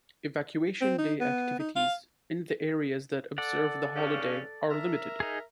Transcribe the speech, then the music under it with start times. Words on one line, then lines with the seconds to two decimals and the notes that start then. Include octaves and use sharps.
Evacuation Day activities in the areas that observe the holiday are limited.
0.81 C4
0.99 D#4
1.20 B3
1.60 D#4
1.76 F5
3.38 A4 D5 F#5
3.95 G2 C#3 C#4
4.69 A#4 E5
5.20 D#4 G#4